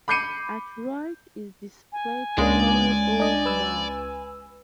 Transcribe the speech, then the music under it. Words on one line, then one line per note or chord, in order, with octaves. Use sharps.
At right is displayed the color old mauve.
B5 D6 G6 C7 C#7 D#7
G#5
C#2 C#3 G#3 A#3 D4 D5
D4 D#5
B4 E6